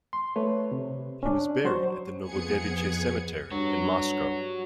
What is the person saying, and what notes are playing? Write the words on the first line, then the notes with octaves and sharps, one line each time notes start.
He was buried at the Novodevichy Cemetery in Moscow.
C6
A3 B4 C#5
C3
C#4 D4
F#3 C5 C#6
F2 B3 G#4 G#6 C#7
G2 F#4 C#5